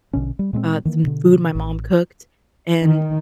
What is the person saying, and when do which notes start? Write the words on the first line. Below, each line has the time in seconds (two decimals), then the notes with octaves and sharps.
uh, some food my mom cooked. And
0.13 A#1 B2 D3 C#4
0.39 G3
0.53 A#2 G#3 A#3 C4
0.85 D#3 E3 A#3
1.04 B2 D3
1.55 A1
2.81 D#3